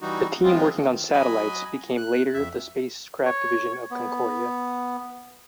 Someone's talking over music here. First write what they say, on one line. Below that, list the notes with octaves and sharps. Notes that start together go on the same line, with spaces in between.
The team working on satellites became later the Spacecraft division of Space Concordia.
E3 G3 D#4 F#4
F3 G#3 B3 C4 F4
D#3
F#3 D#5 G#5 B5
F#6
F2 E5
C#5
B3